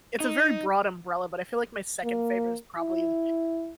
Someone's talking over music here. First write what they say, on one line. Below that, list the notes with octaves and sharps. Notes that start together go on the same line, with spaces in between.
it's a very broad umbrella, but I feel like my second favorite is probably,
D#4
A#3
E4